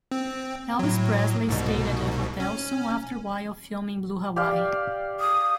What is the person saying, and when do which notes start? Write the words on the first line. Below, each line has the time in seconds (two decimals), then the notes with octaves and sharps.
Elvis Presley stayed at the hotel soon after while filming "Blue Hawaii".
0.12 C4
0.79 A2 F#3
1.49 C2 G#2 B2
2.40 C#4
4.36 G4 D5 F5
5.20 D#6